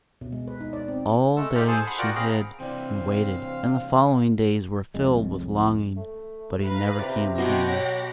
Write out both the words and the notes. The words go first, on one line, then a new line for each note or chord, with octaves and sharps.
All day she hid and waited, and the following days were filled with longing, but he never came again.
B2
G#3
B4
D#4
D5
C4
G#3 A3 A4 E6
D#4 F4 G4 A4 F6
G#4 A4 C5 G#5 A5
F#5 B5 C6 D#6
F4 F#4 A#4 D5 F#5 G5
C4 G#4 F5 G5 A#5 B5
C3 E3 C4 D5 F5 G5
C2 F2 A2 G#3
A3
B4 F5 A#5
C3 D5
B2 G4 D#5 F#5 C6 A#6
F#3